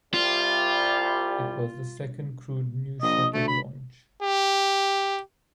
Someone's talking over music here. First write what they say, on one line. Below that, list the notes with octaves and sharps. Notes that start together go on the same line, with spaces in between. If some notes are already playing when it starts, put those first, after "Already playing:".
It was the second crewed New Shepard launch.
C2 G3 F4
A#1 D#5
D2 A3
B5
G4